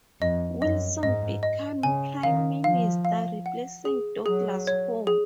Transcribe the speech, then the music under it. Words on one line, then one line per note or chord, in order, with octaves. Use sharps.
Wilson became Prime Minister, replacing Douglas-Home.
F2 D#5
F#2 D#5
G#2 D#5
D#5
C#3 G#5
D#3 F5
F3 F5
F5
F#5
G#4
F#3 G#4
C#5
G#4